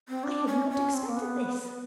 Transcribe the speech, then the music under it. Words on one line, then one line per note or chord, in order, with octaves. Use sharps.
'I had not expected this.
C4
D4
C#4
C#4
C4
A#3
B3
B3